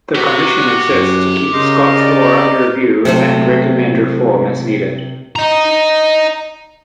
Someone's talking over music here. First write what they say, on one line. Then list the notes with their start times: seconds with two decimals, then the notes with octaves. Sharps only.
The Commission exists to keep Scots law under review and recommend reform as needed.
0.16 F#4 G4 E5
0.90 F#2
1.53 C#3 D#4 A#4 D#5 C6
1.99 D5
3.05 C3 F#3 A3 C5
5.36 D#5 A#5